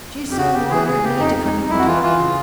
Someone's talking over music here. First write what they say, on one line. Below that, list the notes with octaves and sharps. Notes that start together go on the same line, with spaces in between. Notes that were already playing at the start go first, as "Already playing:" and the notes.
She soon ordered me to come in to her.
F2
G4
C#3 F#4
C#3 G4
E3 G#4
C#3 G#4
C#3 G4
F2 D#4
F2
D#4
F2
F2 E4
F#4
E3 F4
E3 F4
C#3